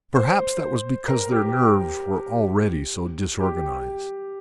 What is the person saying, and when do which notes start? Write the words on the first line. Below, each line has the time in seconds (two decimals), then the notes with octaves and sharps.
Perhaps that was because their nerves were already so disorganised.
0.16 C5
1.08 A#4
1.32 G4
3.40 G4